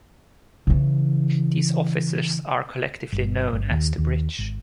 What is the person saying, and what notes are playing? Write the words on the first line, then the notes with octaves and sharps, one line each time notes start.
These officers are collectively known as the Bridge.
C#3 E3
G1
G1
D#2
D#2
G#1